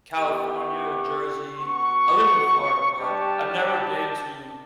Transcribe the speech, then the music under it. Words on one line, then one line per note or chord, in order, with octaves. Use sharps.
California, Jersey. I live in Florida, but I've never been to
B3 E4 G4
C#6
B3 F#4 C#6
G3 D4 G4 A5